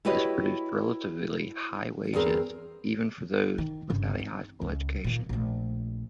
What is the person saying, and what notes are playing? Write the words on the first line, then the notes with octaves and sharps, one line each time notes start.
This produced relatively high wages, even for those without a high school education.
E4 F#4 G4 B4 C#5 D#5
E2 C4 G#4 A#4
D#3
G1 C#3
C4 D#4
C#2
A#2 D#3
A#1 A3